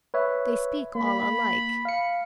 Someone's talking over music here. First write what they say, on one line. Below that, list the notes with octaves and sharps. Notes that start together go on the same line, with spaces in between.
They speak all alike.
B4 C#5 E5
A#3 B5
F5 C#7